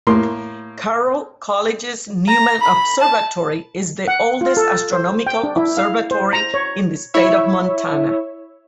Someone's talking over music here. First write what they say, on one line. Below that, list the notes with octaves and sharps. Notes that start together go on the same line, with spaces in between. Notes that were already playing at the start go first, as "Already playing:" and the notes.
Carroll College's Neuman Observatory is the oldest astronomical observatory in the state of Montana.
A2 A#3 C6
A#5
B5
A5
F#5
F4
A4
C5
G5
D4
E4
F5
C5
A#5
C#5
E4 C#5 E5